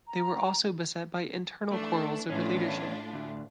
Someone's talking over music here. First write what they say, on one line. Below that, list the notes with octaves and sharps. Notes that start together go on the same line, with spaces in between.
They were also beset by internal quarrels over leadership.
A#5
E3 A3 D4
E2 A2 C#4 D4 F4
D2